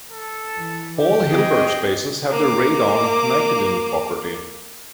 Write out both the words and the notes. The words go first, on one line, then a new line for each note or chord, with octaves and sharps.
All Hilbert spaces have the Radon-Nikodym property.
A4
E3
G4
C4 G#4 D#5
A#3 D6